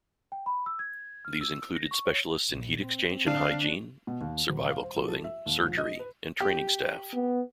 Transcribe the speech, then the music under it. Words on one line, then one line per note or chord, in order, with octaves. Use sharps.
These included specialists in heat exchange and hygiene, survival clothing, surgery, and training staff.
G5
B5
E6
G#6
F6
E6
A#6
C#6
C#5
A#1
C4
D3 D4 F5
B2
D#2
D#1
F5
C5
A#1
A4
E5
D#2
A#1
D#5
B4
G4
B3